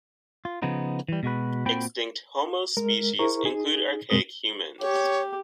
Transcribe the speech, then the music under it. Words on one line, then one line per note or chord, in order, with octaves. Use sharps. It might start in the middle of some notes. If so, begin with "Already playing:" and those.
Extinct "Homo" species include archaic humans.
F4
C#3 F3 B3 D#4
E3 G3
B2 G#3 F#4 B4
A#2 C4 F#4 G5 B5
G#3 A#4
E4 G#4 A#4 C5 A#5 C#6
D#4 G#4
F#2 B2 G#3 C4 A#4 D#6
G4 C#5